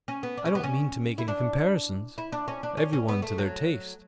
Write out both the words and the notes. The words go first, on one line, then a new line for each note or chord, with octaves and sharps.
I don't mean to make any comparisons; every one to their taste.
C#4
B3
D4
C#4
B3
C#4
E4
D4
E4
D4
C#4
D4
C#4
C#4
B3
A3
F#3